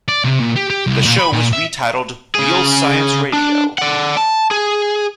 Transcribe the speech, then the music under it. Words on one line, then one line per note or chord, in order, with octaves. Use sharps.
The show was re-titled "Real Science Radio".
D5
C3
A#2
G4
G4
C2
A#2
B5
A#2
E5
C#3 G#4
D4
D5 F#5
A5
G#4